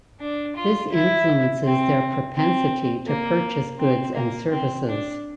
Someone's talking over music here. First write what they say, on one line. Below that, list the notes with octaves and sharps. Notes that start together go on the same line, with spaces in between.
This influences their propensity to purchase goods and services.
D4
F4
E4
C4
C4
A#3
C4
A#3
C4
D4